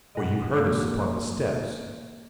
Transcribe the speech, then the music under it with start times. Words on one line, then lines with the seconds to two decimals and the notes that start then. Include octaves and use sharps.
Or you heard us upon the steps?
0.15 G2 B2 D#5 F#5
0.59 E3 G#3 A#3